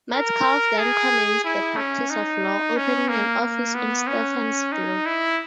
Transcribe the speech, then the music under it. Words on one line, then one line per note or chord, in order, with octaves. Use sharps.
Metcalf then commenced the practice of law, opening an office in Stevensville.
A#4
G#4
E4
C#4
D#4
C#4
A#3
A#3
B3
C#4
D#4
E4